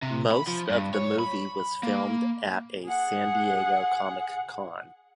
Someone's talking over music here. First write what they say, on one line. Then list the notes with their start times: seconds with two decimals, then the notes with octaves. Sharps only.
Most of the movie was filmed at a San Diego Comic-Con.
0.02 C3
0.31 B5
0.47 F3
0.70 G2
0.94 C#5
1.19 B5
1.83 A#3
2.86 G#4 F#5